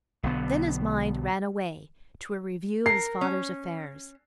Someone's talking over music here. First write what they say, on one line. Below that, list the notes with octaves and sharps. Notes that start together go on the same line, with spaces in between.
Then his mind ran away to a review of his father's affairs.
B1 D3 B3
A#4 C7
C#4